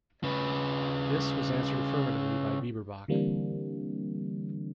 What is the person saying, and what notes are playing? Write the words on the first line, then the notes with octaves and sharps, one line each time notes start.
This was answered affirmatively by Bieberbach.
C#3 B4
D3 E3 G3 A#3 C4 D4